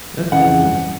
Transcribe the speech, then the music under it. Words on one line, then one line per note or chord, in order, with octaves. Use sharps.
That's interesting.
F2 C#3 E3 F#5